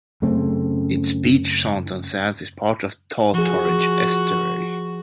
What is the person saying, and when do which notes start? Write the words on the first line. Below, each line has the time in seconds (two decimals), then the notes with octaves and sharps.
Its beach Saunton Sands is part of the Taw-Torridge Estuary.
0.22 F#2 C#3 A3 C4
3.34 F3 F#4 G#4